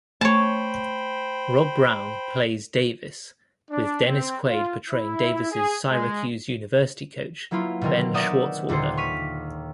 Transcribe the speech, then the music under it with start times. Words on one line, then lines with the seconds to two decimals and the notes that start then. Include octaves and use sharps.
Rob Brown plays Davis, with Dennis Quaid portraying Davis' Syracuse University coach, Ben Schwartzwalder.
0.21 A3 C5 C#5 G5 A5 B5
3.70 D4
4.05 C4
4.47 F4
4.90 E4
5.51 G#4
5.90 G#3
7.51 F#3 A#3 B3 E4 F4
7.81 B2 D3 D#3 C4 A#4
8.14 A#4 D5 E5 F#5 D#6 G6
8.69 D#1 D#2 A#2 D3 C5 C#7
8.97 C#6 F6 B6 D#7